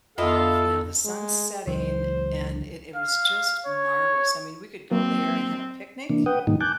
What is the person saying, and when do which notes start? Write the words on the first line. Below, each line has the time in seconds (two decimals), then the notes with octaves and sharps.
of, you know, the sun setting and it it was just marvelous. I mean, we could go there and have a picnic.
0.18 F2 B3 E4 F4 A4 D#5 F5
1.05 G#3
1.67 C#2 E3 F#3 C5
2.96 F5
3.66 C#5
4.91 F#3 A#3 C4
6.09 C3 E3 A#3 D4
6.26 B4 F#5 G5 D#6
6.47 G#2 C3 D#3 G3 A#3 D#4
6.61 G#5 A5 D6 F#6 G6